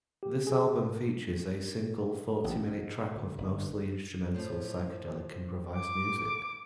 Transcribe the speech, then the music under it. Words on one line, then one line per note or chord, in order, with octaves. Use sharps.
This album features a single forty minute track of mostly instrumental psychedelic improvised music.
G4
G#4
A1
G#2
D2
G1
A2 F3
D6